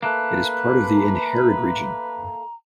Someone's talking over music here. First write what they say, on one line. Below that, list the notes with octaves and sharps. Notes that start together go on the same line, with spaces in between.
It is part of the Innherred region.
A3 A#3 B4 F#6
A#5